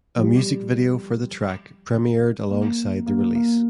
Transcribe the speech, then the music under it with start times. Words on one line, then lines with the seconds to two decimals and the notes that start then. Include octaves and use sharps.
A music video for the track premiered alongside the release.
0.17 F3
0.22 G3
2.49 A#3
3.06 A#3
3.35 A#3